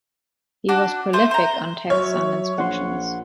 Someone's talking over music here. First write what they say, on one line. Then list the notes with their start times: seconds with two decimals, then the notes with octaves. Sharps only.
He was prolific on texts on inscriptions.
0.68 D4 F#4 D6
1.13 A3 C5
1.31 C5 A#5
1.90 F#3 C#5 E5 F6
2.58 A#1 F#5 C6